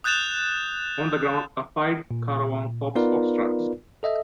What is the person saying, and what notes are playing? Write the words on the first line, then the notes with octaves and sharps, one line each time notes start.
On the ground, a pied currawong hops or struts.
D#6 F#6 G6 A6 E7 F7
A#2
B3 D#4 F4 A#4 B4 D5
A4 D#5 E5